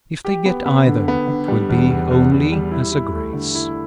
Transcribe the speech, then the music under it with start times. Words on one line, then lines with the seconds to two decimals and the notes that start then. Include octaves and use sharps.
If they get either, 'twill be only as a grace.
0.25 G4
0.45 B3
0.66 B3
0.87 D3
1.08 B3
1.28 D3
1.48 G3
1.69 E2
1.90 E2
2.10 E2
2.31 E2
2.52 G3
2.71 E4
2.92 E4
3.13 A3
3.33 D3
3.55 E4